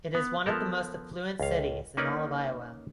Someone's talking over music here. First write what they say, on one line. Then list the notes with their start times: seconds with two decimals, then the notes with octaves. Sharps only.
It is one of the most affluent cities in all of Iowa.
0.15 B3
0.46 F3 B3 A4 A#4
1.40 C#2 F5
1.97 A#3 C#4 D#4 B4 D5